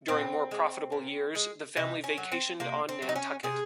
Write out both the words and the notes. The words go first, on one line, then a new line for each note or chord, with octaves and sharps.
During more profitable years, the family vacationed on Nantucket.
A#2 C4
G#3
A#2
G#3
C3 D#4
C#4
F#3
C4
C3 A#3
C4
F#3
D#4
C#4
C3 G#4